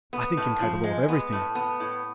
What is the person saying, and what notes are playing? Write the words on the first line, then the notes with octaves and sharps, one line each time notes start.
"I think him capable of everything."
B3
A2
F3
G#3
B3
A2
B3
A2